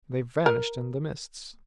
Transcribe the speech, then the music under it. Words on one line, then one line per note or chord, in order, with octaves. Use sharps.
They vanished in the mists.
A#4